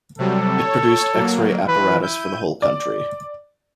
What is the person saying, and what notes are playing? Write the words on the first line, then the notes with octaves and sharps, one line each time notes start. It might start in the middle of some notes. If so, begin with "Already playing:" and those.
It produced x-ray apparatus for the whole country.
C3 F#3 G3 A4
C#5
F#3 A#3
E3 B4
E4 G6 D#7
D5